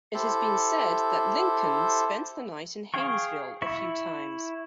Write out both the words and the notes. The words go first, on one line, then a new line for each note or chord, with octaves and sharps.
It has been said that Lincoln spent the night in Hainesville a few times.
E4 G4 A4 C5
G#4 F5 G5 C#6
E4 E5 C#6